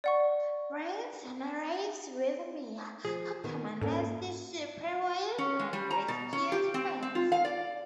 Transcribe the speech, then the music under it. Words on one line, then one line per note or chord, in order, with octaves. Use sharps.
Brian soon arrives with Mia, who commandeers the Supra while Brian rescues Vince.
D5 F#5 C#6
F3 G#4
D#3 B3
G#2 A#3 C#4 A4
C#4
G#3
G3
A#5
B2
C#4
G4
C4
C4
F4
F5
D5